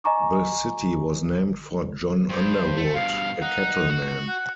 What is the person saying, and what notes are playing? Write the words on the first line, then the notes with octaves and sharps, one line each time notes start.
The city was named for John Underwood, a cattleman.
D#5 G#5 A#5 C#6 D6
G2 C5
A3
G2 B2 F5
D#4 F#5
F#4
F#5